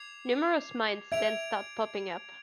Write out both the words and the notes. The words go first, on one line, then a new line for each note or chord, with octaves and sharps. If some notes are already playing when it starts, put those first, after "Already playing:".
Numerous mines then start popping up.
Already playing: D6 G#6 C7 F7
E5 G#6 D7 F7